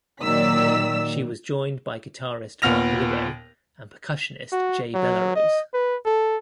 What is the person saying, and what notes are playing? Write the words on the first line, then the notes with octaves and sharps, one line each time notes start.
She was joined by guitarist Marc Ribot and percussionist Jay Bellerose.
A#2 D#3 F#3 D5 E6 B6
D#2 A#2 B3 F6 A#6 F7
F#4
F#3
D#5
B4
A4